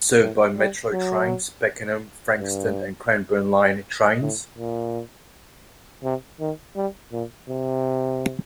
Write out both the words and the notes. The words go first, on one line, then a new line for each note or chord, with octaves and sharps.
It is served by Metro Trains' Pakenham, Frankston, and Cranbourne line trains.
A2
G3
F#3
G2
A2
A#2
C3
D#3
G3
A#2
C3